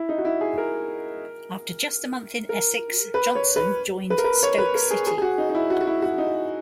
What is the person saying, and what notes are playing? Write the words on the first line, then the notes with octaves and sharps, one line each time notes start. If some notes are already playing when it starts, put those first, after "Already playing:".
After just a month in Essex, Johnson joined Stoke City.
Already playing: E4
D#4
F#4
E4
G#4
A#4
A#4
B4
C#5
B4
B4
A#4
B4
C#5
B4
A#4
G#4
G#4
G#4
F#4
D#4
D#4
E4
F#4
F#4
E4
F#4
D#4